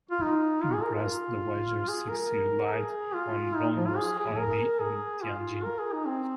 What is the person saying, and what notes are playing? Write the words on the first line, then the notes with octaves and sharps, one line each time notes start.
Empress Dowager Cixi relied on Ronglu's army in Tianjin.
F4
D#4
F4
G#4
A#4
F4
G#4
A#4
A#4
G#4
F4
D#4
F3
F4
G#4
G#4
A#4
G#4
F4
A#4
G#4
D#4
C4